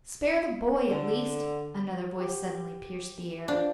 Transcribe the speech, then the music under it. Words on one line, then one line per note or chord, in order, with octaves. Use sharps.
"Spare the boy at least!" another voice suddenly pierced the air.
D3
G4
D4 F4 C5